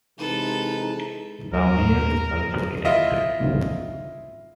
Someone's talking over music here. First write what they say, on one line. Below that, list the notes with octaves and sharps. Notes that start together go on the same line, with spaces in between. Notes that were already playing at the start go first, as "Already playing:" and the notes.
The mayor is also elected.
C3 E3 G#3 D#4 A4 B4
D#2 A#4
E4 F4 D#5 E5